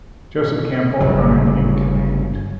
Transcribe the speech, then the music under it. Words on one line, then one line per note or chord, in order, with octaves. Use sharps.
Joseph Campbell Cronin in command.
G1 C#3 F#3